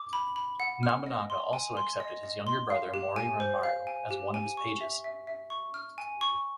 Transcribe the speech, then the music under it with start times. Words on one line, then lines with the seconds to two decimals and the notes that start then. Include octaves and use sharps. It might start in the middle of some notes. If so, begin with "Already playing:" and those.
Nobunaga also accepted his younger brother Mori Ranmaru as one of his pages.
Already playing: D6
0.13 B5
0.36 B5
0.60 F#5
0.83 F6
1.06 D#5
1.30 C6
1.53 G#5
1.77 C6
2.00 D#5
2.23 D#5
2.47 C6
2.70 F5
2.94 G4
3.16 G#5
3.40 C5
3.63 F5
3.87 G#5
4.11 G4
4.34 G#5
4.57 C#6
4.81 E5
5.04 E5
5.27 E5
5.50 C#6
5.74 F6
5.98 G#5
6.21 C#6